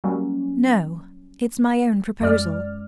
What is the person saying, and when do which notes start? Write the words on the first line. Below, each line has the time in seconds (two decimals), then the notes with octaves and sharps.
"No; it's my own proposal."
0.04 F#3 G3 A#3 C#4
2.21 F#2 G#3 D5 F6